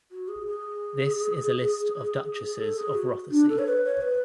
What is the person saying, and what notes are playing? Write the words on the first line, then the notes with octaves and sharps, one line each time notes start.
This is a list of Duchesses of Rothesay.
F#4
G#4
G#4
A4
G#4
F#4
D4
A4
C#5
B4
C#5
B4